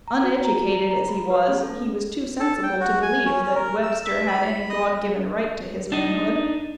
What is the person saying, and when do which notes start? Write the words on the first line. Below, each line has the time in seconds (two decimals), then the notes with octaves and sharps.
Uneducated as he was, he was too sensible to believe that Webster had any God-given right to his manhood.
0.08 A#5
0.23 F#4
0.45 A#5
0.72 A#5
0.91 A#5
1.09 B5
1.30 B4
1.48 C#4
1.63 A4
2.40 A4
2.63 G5
2.80 F#4
3.03 G#5
3.26 C#4
3.43 C#4
3.55 A#4
3.83 E6
4.05 E5
4.28 B5
4.69 D#5
5.92 D4 D#4